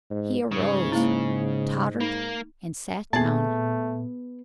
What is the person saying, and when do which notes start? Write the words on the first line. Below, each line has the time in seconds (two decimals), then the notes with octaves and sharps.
He arose, tottered and sat down.
0.11 G#2
0.52 G#2 C#3
0.92 A#3 E4
2.00 A#3 D#4
3.13 A#2 A3 B3 G#4 A5